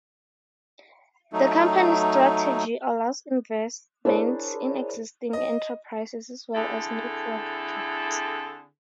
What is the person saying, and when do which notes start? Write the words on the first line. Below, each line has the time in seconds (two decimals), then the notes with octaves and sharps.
The company's strategy allows investments in existing enterprises as well as new projects.
1.33 F#3 A3 D#4
4.05 D4 E4 G#4 A#4 C5 C#5
5.33 D#5
6.54 D3 C4 E4 G#4 A4